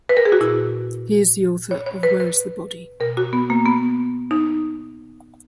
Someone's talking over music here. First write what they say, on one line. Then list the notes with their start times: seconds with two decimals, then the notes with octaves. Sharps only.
He is the author of Where is the Body?
0.09 B4
0.17 A#4
0.25 G#4
0.32 F#4
0.40 A#2 E4
1.71 C#5
1.86 C#5
2.03 B4
2.20 B4
3.00 B2 A#4
3.17 F#4
3.33 B3
3.50 A#3
3.66 B3
4.31 D#4